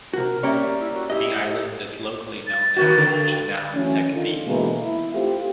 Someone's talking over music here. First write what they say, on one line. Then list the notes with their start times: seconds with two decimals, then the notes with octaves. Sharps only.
The island is locally known as "Chinal Tekdi".
0.14 C3 F#4 A#4
0.43 G3 A#3 C#4 C#5 E5
0.80 E4
0.94 F#4
1.10 E4 G4 D#5
2.47 A6
2.76 D#3 A#3 F#4
2.98 G2 D3
3.74 E3 F#3 A3 C#4
4.12 D3 D#3 F4
4.47 B2 D3 E3 G#3 A#3
4.83 E4
5.14 A3 C4 F4 G4